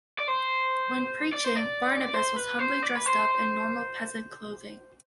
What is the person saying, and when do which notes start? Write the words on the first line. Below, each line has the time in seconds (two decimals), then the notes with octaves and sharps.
When preaching, Barnabas was humbly dressed up in normal peasant clothing.
0.19 D5
0.28 C5
1.32 D5
1.44 C5
1.55 D5
2.02 D5
2.14 C5
2.36 B4
2.59 C5
2.83 D5
2.95 B4
3.06 C5